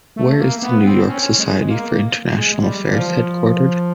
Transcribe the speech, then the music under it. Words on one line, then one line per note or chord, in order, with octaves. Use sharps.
Where is the New York Society for International Affairs headquartered?
A3
A#3
B3
C4
C#4
G#3
A#3
G#3
G3
F3